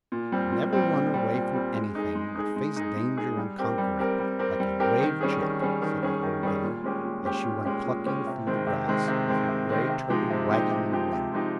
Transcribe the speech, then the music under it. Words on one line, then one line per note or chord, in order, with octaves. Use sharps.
'Never run away from anything, but face danger and conquer it, like a brave chick,' said the old biddy, as she went clucking through the grass, with her gray turban wagging in the wind.
A#2
G3 C4
A#2
G3 C4
A#2
G3 C4
A#2
G3 C4
G#3
D#4 G#4
G#3
D#4 G#4
G#3
D#4 G#4
G#3
D#4 G#4
G3
C4 G4 A#4
G3
C4 G4 A#4
G3
C4 G4 A#4
G3
C4 G4 A#4
D#3
G3 C#4 G#4
D#3
G3 C#4 G#4
D#3
G3 C#4 G#4
D#3
G3 C#4 G#4
A#2
G#3 C#4 G4
A#2
G#3 C#4 G4
A#2
G#3 C#4 G4
A#2
G#3 C#4 G4
C3
D#3 G#3 C4
C3
D#3 G#3 C4
C3
D#3 G#3 C4
C3
D#3 G#3 C4
C3
F3 G#3 D#4 G4
C3
F3 G#3 D#4 G4
C3
F3 G#3 D#4 G4
C3
F3 G#3 D#4 G4